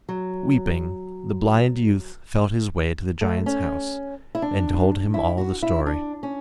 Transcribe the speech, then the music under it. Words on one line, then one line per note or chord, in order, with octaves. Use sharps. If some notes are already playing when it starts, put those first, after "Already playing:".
Weeping, the blind youth felt his way to the giant's house, and told him all the story.
F#3
A3
C#4
E4
D4
E4
F#4
E4
D4
C#4